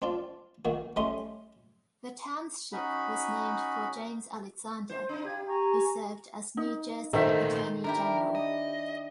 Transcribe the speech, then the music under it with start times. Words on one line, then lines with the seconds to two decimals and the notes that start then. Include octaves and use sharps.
The township was named for James Alexander, who served as New Jersey Attorney General.
0.02 C4 D4 F4 D5
0.65 D#3 A#3 F#4
0.96 G3 A3 C#4 D#5 C6
2.72 C#4 D#4 F#4 B5
4.89 C5
5.09 D4 D#4
5.24 G4 F5 G#6
5.48 G#5 A#5 C#6
6.57 D#4
7.13 A#2 D#3 A3 A4 C5 E5
7.55 C6
7.84 D4 E4 G4 A#4
8.35 D#5